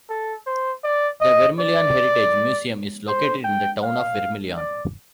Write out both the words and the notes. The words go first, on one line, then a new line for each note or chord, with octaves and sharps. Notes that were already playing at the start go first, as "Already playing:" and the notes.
The "Vermilion Heritage Museum" is located in the town of Vermilion.
A4
C5
D5
D#5
D5
C5
G5
F5
D5